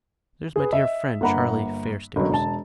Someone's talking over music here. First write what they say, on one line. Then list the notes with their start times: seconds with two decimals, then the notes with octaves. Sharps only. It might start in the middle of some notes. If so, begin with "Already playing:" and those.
There's my dear friend Charlie Fairstairs.
0.56 G#4 B4
0.73 D#5 E5
1.21 G1 A#3 F#5 A#5 B5
2.16 F#1 B2 D3 F#3
2.30 E1 A5